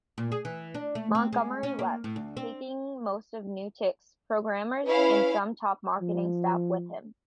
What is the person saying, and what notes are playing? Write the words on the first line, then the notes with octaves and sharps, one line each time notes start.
Montgomery left, taking most of NewTek's programmers and some top marketing staff with him.
A#2
G#4
E3
D4
A3
C4
G#3
C#4
A#3
A2
D2
C4
C#4 E4 B4 F5
F3